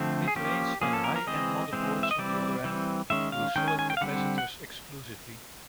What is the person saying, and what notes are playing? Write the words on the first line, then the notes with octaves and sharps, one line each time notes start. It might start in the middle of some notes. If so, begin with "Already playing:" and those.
Mid-range and high-end motherboards on the other hand use solid capacitors exclusively.
Already playing: D3 F3 A3 C4
G#4
F3 A#3 C#4 G4
F3 A#3 C#4 G#4
A4
A#4
A#4
E3 G#3 C4 D#5
E3 G#3 C4
E5
D#5
E3 G3 C4 D5
E3 G3 C4
D#3 G#3 C#4 E5
F5
D#3 G#3 C#4 G5
G#5
G#5
G5
F5
D3 G3 C4 F#5
F#5